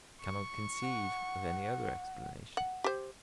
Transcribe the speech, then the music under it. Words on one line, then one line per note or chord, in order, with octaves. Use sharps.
I cannot conceive of any other explanation.
C#6
F#5
F#5
G4 C5